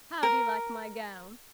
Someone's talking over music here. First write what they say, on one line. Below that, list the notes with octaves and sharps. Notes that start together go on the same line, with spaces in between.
How do you like my gown?
A#4